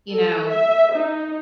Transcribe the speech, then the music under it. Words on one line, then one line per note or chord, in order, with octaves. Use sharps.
you know,
A4
E5
D#4